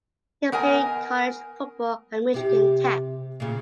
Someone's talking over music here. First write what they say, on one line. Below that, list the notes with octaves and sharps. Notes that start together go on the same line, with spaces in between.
He played college football at Michigan Tech.
B3 A#4 D#5 G#5
C3 G4
A#2 C#3